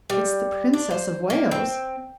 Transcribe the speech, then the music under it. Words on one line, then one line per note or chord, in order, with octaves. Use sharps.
"It's the Princess of Wales."
G3
D4
C5
A#3
C4